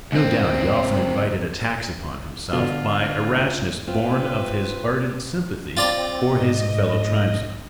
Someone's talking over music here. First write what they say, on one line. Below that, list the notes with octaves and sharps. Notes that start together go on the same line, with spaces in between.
No doubt he often invited attacks upon himself by a rashness born of his ardent sympathy for his fellow-tribesmen.
C#2 C4
B2 D3 F4
C4 F4 B4
C4 F4 D5 A#5
G#2 D#5